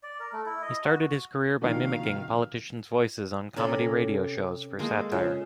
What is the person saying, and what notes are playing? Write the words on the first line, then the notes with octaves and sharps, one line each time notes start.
He started his career by mimicking politicians' voices on comedy radio shows for satire.
D5
A#4
A3
E4
D#5
F#4
C3 D#3 F3 A#3 D4 F#4 F5 G5
C3 C#4 A4 A#4 B5
G#3 A#3 A4
C#3 F4 C#5